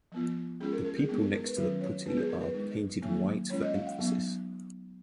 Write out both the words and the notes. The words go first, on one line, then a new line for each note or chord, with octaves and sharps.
The people next to the putti are painted white for emphasis.
F3 B3 F4
G#3 C#4 F4 G#4
A#4
A#4
G#4
G#3 B3 D#4 G#4
A#4
A#4
B4
D#3 F#3 C#4 F4 B4
C#5
G#3 B3 F4 B4
G#4
A#4
B4
G#3 D#4
D#3 F#3 A#3 D#4
G#3 C#4 F4 C#5
D#5
F5
F#5
F#3 B3 D#4